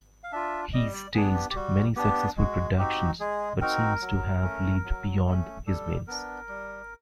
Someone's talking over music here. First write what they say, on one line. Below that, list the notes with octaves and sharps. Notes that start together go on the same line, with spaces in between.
He staged many successful productions but seems to have lived beyond his means.
F5
D4 F4 E5
G3 D#5
D5
B3 D4 G#4
G4
G4
G3 F#4
B3 D4 G4
G#3 F#4
C4 D#4 F#4 G4
G#3 G#4
C4 D#4 F#4 A#4
F#3
A3 C#4
F#3
A3 C#4
G3 A4
B3 D4 A#4
G3